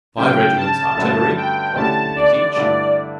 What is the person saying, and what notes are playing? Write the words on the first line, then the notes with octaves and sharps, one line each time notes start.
Five regiments artillery, twelve companies each.
C#3 F#3 C#4 G5
A5
G2 D3 A3 C#4 F#4
G5
D3 A3 C#4 E4 G4 A5
D5
G2 D3 A3 E4